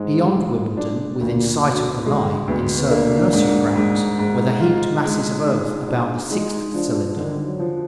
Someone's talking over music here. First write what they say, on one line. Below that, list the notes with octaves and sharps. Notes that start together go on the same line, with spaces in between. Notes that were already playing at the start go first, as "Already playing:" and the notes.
Beyond Wimbledon, within sight of the line, in certain nursery grounds, were the heaped masses of earth about the sixth cylinder.
Already playing: G#2 G#3
G#3
D4
D2 A#2
D2 B2
D3 G#3
D2 B3
A#3 D4
G#2
G#2
G#2
D#4 F4
G#3
G#3
D4
G#3 D#4
F3 D4
D3 D#3
F#3
F3